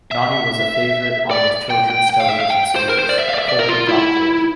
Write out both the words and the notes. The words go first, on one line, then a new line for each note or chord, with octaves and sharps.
Nonnie was a favorite on the children's television series, Polka Dot Door.
E5
D5
G5
G5
G5
F5
E5
F5
G5
C5
A#4
C5
D5
E5
F5
D5
E5
D5
A#4
F4
E4